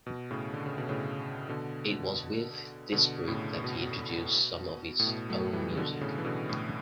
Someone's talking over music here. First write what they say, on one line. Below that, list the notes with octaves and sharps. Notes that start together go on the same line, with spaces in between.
It was with this group that he introduced some of his own music.
B2
A2 C#3
D3
C#3
B2
A2 C#3
B2 D3
B2 D3
A2 C#3
B2
A2
B2
F#3 A3
E3 G3
C#3
B2 D3
A2 C#3
E3
B2 D3
A2